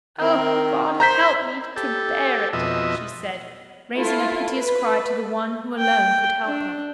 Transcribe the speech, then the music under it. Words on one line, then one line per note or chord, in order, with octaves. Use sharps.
"Oh, God help me to bear it!" she said, raising a piteous cry to the One who alone could help her.
D#3 C4 A#4
C5 A#5 G6 B6
G4 A4
F2 B2 D#5 E5
A3 E4 F4
B4
G5
D4